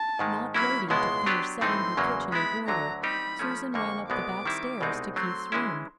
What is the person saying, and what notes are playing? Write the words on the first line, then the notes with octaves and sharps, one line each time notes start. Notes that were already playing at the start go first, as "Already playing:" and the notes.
Not waiting to finish setting her kitchen in order, Susan ran up the back stairs to Keith's room.
Already playing: A5
G#2 D#3 G#3
F#3 A#3 C#4 E4 B5
C#2 B2 G#3 B3 E4 C6
F#3 B3 D4 G4 B4
A2 E3 A3 C4 D#4 C6
E2 C#3 F#3 A#3
G#3 B3 E4 B5
D2 D3 F#3 A#5
G3 C4 D#4 G4 B5
F3 A3 C#4
F2 D3 G3 A#3 C#6
C2 B2 G#3 B3 D6
D#3 G3 C4 E4
C2 B2 G#3 C4 D#4
F#3 A3 C4 C6
E3 G#3 C#4 E4